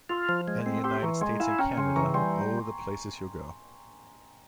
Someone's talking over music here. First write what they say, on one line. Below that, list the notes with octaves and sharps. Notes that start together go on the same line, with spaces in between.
In the United States and Canada, Oh, the Places You'll Go!
F4 C6 E6
F3
G#3
C4
G4 C6 E6
E3 A#5 C#6
G#3 G#5 C6
E4 F5 G#5
C#4 G5 A#5
C#3 G#5 C6
E3 A#5 C#6
G3 G#5 C6